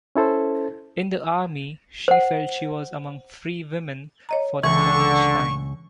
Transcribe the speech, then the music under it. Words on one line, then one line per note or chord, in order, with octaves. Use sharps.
In the army, she felt she was among free women for the first time.
C#4 E4 A4 C5
C5 F#5
C#5 D#5 A#5
C#2 D3 E3 C#6